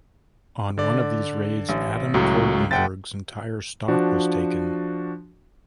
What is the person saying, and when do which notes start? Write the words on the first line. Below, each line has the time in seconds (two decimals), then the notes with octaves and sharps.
On one of these raids, Adam Kohlenburg's entire stock was taken.
0.78 D3 D5
1.69 A1
2.14 C#2 A2 F#3 F#4
2.71 F#1 F#5 G5 A6
3.88 F3 D4 F#4